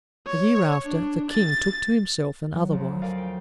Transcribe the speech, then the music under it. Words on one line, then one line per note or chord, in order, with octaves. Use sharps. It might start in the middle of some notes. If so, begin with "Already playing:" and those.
A year after, the King took to himself another wife.
C#5
D4
A6
F#3
D2 F3
A#4 D5 F5 G#5
G5